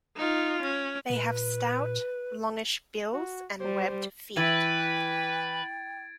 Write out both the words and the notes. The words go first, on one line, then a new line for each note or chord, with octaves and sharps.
They have stout, longish bills and webbed feet.
D#4 F4
C#4
A#2 B4
F#4
G3 C5
E3 B4 G5 G#6 A6 D7